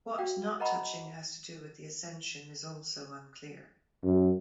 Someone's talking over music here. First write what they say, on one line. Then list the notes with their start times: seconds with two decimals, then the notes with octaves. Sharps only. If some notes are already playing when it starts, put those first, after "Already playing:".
What not touching has to do with the ascension is also unclear.
0.18 F#4 D5 F5 G5
0.60 A#4 D#5 F#5 A#5 B5 C#6
4.03 F#2